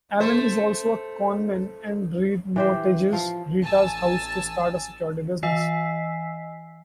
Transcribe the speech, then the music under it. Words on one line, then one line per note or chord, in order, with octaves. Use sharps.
Alan is also a conman and re-mortgages Rita's house to start a security business.
A3 C5
E3 G4 C5
F3 F5
A1 G#5 A5 E6 A6
E3 D#5 G#5 E6 B6 C7